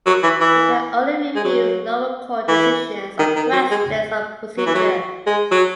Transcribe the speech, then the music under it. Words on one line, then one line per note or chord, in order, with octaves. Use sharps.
It can only review lower court decisions on questions of procedure.
F#3
E3
E3
G#3
F#3
E3
D#3
D#3
F#3
G#3
F#3
E3
F#3
G#3
F#3